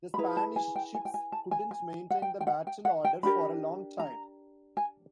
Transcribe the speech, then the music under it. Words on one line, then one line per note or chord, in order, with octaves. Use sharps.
The Spanish ships couldn't maintain the battle order for a long time.
B5
E4 G#4 B4 A#5
A5
G#5
G5
G#5
G5
G#5
A5
G#5
G#5
F#5
G5
G5
F#5
G5
F#5
G5
D4 G4 A#4 B5
A#5
G#5